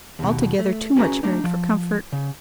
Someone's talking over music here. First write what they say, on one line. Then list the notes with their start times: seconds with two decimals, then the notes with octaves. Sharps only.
Altogether too much married for comfort.
0.19 D#2 B2
0.59 A3
0.96 C#4 F#4 G#4 B4 G5 A#5
1.23 A3 D4 D#4
1.44 F3
2.12 C#3